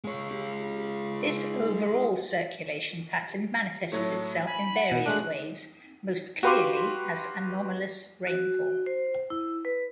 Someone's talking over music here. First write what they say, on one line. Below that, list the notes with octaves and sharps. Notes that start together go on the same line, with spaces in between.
This overall circulation pattern manifests itself in various ways, most clearly as anomalous rainfall.
G#3 C#5
A2 F#3 A3
G#5 B5
F#5
B2
G#3 A3 D4 F#6
F#4 G4 B4 F5 C6 D6
F#4
C5
E4
B4